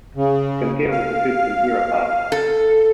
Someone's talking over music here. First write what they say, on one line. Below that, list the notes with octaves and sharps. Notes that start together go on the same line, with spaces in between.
Compare with the kutsinhira part.
C#3
F5
A4